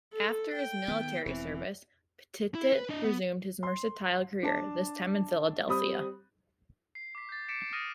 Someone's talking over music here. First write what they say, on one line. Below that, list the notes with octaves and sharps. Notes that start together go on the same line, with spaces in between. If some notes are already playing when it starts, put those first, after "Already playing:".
After his military service, Pettit resumed a mercantile career, this time in Philadelphia.
A4
G5
D#3 B3
E1 E2 E3 C4
E4
B4
D4 D#5
B3
C6
D4 A5
G3 C4 B5 D#6
C7
D6 B6
G6 A6
D6 A6 B6 C#7 D7 E7
D#6 F6 A6 A#6 D#7